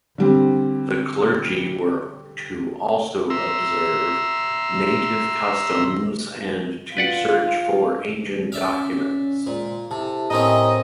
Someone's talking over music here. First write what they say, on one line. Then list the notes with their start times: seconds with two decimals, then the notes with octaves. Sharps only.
The clergy were to also observe native customs and to search for ancient documents.
0.18 D3 G3 C4
3.30 E5 A#5 C6 E6
6.97 F4 B4 D5 F#5
8.52 C#4 D5 E5 F5
9.47 A#2 G#3 C5
9.91 C3 E4 G4 A4
10.30 A2 A#3 C4 C#4 D#4 D#5